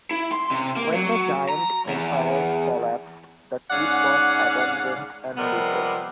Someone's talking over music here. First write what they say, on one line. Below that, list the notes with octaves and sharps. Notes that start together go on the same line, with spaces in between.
When the Giant Empires collapsed, the Keep was abandoned and looted.
E4
C6
C3
A#3
F#3
A#5
E2
G#2 C#4 D5 F5 F#5
C3 F3 G3 G#3 B3 A#4